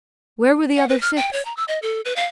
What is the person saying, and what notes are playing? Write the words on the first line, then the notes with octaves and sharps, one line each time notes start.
Where were the other six?
F#5
B4
F6
G5
C#5
A#5
E6
D#5
A4
B4
F5